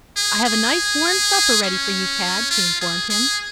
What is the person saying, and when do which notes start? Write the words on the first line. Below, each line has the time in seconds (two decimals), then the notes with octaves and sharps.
"I have a nice, warm supper ready for you, Tad," she informed him.
0.16 G#4
0.45 G#4
1.63 C#4
2.51 F4
2.81 G#4
3.10 G#4